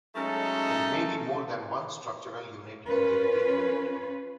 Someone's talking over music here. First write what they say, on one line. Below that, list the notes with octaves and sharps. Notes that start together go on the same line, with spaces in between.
There may be more than one structural unit in the repeat unit.
F#3 G#3 A3 C#4 D#4 A4
C#4 F4 A#4 B4